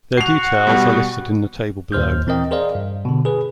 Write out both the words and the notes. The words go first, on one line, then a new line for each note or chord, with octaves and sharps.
Their details are listed in the table below.
F#4 C7 F7
B2 G3
D#2 A#2 C5 F6 G6
E3 C4 A#4 D#5 G5
G#4 A#4 C5 D5 D#5 F5
G2
B2 D3
G#4 B4